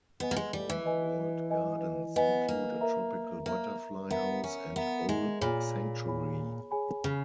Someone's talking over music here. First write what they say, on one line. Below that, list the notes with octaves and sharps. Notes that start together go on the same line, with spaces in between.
The former walled gardens include a tropical butterfly house and owl sanctuary.
B3 B4 D#5 G#5
A#3
G#3
G3
E3
B4 D#5 G#5
B4 D#5 G#5
B3 B4 D#5 G#5
A#3
A#4 E5 A#5
A#3 A#4 E5 A#5
B3 A#4 E5 A#5
C#4
B3 A#4 E5 A#5
G#3
A#2 G#4 C#5 G#5 B5
G#4 C#5 G#5 B5
G#4 C#5 G#5 B5
C#3